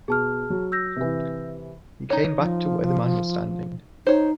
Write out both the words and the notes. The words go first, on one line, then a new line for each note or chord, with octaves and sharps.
He came back to where the man was standing.
B2 G#4 A5 F6
F#3
E6 G6 A#6
C3 E3
D#4 C#5
F3
D#4 C5 C#5